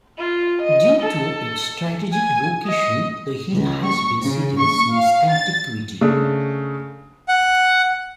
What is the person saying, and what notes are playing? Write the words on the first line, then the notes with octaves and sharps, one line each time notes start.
Due to its strategic location, the hill has been settled since antiquity.
F4
D#5
A4
G#5
D#5
C#2
C#6
C#3
C#6
F5
A6
C#3 A3 D4
F#5